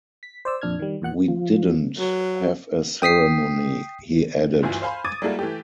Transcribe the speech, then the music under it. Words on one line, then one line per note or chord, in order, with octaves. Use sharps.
"We didn't have a ceremony," he added.
B6
C5 D5 E6
F2 A#2 D4 F6 G#6
D#3 G3
E2 A#2 F#5 F#6
F3
F#3
G5 D#6 B6 C7
G1 D2 E3 F4 F#4 G#5
C5 F5 G#5 B5 C6
D6 D#6 G#6 A6 D#7
G3 G#3 A#3 E4 F#4 A4
E3 A3 G4